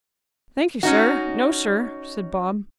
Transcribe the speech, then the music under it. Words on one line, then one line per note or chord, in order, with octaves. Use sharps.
'Thankee sir, no sir,' said Bob.
C#4 D#4 F#4